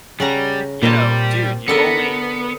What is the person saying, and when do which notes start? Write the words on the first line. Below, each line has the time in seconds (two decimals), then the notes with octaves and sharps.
you know, "Dude, you only
0.20 C#3 G3 F#5 A#5
0.83 A#2 G3 A#3 C4 A5
1.68 D3 B3 A4 A#4 C#7